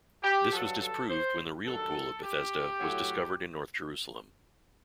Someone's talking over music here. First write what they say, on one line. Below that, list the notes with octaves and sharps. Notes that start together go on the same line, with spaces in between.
This was disproved when the real Pool of Bethesda was discovered in north Jerusalem.
G4
G2 F#3 A4
A4
C5
G2 D#3 F#3 A4
G4
A2 F#3